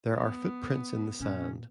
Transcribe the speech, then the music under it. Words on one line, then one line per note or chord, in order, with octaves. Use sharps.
There are footprints in the sand.
B3
A#2 C#4